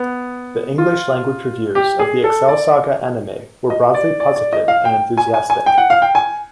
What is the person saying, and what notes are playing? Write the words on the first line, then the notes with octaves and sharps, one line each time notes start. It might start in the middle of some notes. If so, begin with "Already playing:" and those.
The English-language reviews of the "Excel Saga" anime were broadly positive and enthusiastic.
Already playing: B3
F4
G4
G#4
A4
D5
D#5
D5
D5
D5
D#5
F5
G5
G#5
G#5
G#5
G5
F#5
F5
G5
G#5